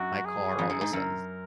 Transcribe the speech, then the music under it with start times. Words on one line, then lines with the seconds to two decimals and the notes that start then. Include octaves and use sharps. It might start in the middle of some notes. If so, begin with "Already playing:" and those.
my car all of a sudden s
Already playing: F#2 F#4
0.25 G#4
0.59 F2
0.70 F#2
0.81 G#2
0.93 F#2 A#4